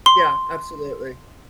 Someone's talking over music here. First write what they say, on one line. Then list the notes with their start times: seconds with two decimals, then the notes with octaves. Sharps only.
Yeah, absolutely.
0.06 C6